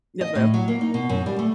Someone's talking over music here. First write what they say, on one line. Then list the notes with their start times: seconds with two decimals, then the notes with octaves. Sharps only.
Yes, ma'am.
0.21 D#5
0.35 A2
0.54 F#3
0.68 A#3
0.81 D#4
0.94 B2
1.09 F#2
1.26 G3
1.39 A3